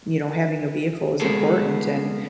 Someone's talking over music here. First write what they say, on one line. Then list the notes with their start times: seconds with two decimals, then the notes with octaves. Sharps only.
you know, having a vehicle is important, and,
1.20 C2 G#3 A#3 B3 G#4 A4